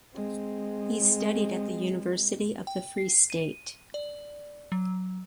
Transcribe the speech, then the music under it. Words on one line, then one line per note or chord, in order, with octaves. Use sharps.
He studied at the University of the Free State.
G#3 C4
G5
C7
D#7
D5
F#3